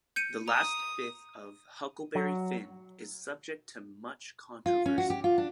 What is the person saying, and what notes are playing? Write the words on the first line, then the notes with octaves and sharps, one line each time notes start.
The last fifth of "Huckleberry Finn" is subject to much controversy.
G6 C#7 D#7
A#5 D#6
F#3
F4
C#4
F#4
G4
F4
D4